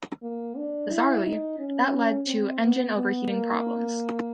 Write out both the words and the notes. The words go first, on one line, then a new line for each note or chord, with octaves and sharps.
Bizarrely, that led to engine overheating problems.
A#3
D4
E4
D#4
C#4
C4
B3
B3
A#3